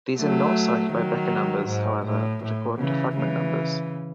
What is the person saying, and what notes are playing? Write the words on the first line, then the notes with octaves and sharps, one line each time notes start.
These are not cited by Bekker numbers, however, but according to fragment numbers.
F#3 A3
D#3 F#3
G#2
A2
A2
C#3 E3
C#3 E3